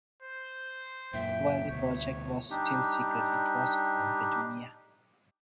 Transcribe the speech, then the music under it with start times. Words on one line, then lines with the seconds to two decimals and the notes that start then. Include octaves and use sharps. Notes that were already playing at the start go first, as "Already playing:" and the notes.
While the project was still secret, it was called "Petunia".
0.22 C5
1.14 F#2 A#2 E5 G5
1.70 D2 B2 C#5
2.50 G3 D4 D#4 G4